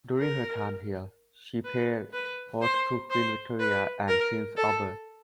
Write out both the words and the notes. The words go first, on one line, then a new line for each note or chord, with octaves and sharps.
During her time here, she played host to Queen Victoria and Prince Albert.
A#4
B4
B4
C5
C5
B4
A#4
A4